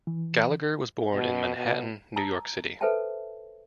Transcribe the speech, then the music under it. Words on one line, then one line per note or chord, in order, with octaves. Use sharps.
Gallagher was born in Manhattan, New York City.
E3
B2
B2
A5 A#5 D#6 E6
A4 B4 C5 E5 G5 A5